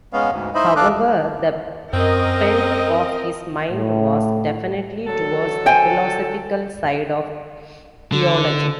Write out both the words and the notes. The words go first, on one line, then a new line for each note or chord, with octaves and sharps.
However, the bent of his mind was definitely towards the philosophical side of theology.
G#3 B3 C#4 F5
D2 G#2
D#4 E4 C5 D#5 E5 B5
E3 D4 A4 F5 D6 F#6
F#2 C4 A#4 D#5
A2
D3 F#3 A4
C5 G5 G#5
D3